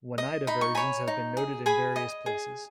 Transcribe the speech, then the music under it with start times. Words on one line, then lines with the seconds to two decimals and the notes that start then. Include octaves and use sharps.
Oneida versions have been noted in various places.
0.18 D#5
0.47 D#4 B5
0.61 C#6
0.75 C#5 G#5 B5
1.08 D#4
1.37 G#4
1.66 G#4 G#5 B5
1.96 D#5
2.26 G#4